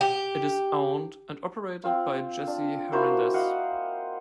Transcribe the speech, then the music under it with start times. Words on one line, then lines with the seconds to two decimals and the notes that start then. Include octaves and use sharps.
It is owned and operated by Jesse Hernandez.
0.01 G4
1.84 C4 F4
2.47 D4
2.92 A#3 E4 F#4 C5
3.34 D#5 F5 F#5